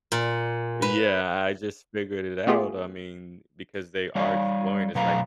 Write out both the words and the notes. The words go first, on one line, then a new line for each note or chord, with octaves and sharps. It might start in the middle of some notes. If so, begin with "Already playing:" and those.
Yeah, I just figured it out. I mean, because they are exploring, it's like
A#2
B4
A3 B3 F4 G4 G#4
G3 C#5 D5 F5
B2 F#3 A3 B4 F5 A#5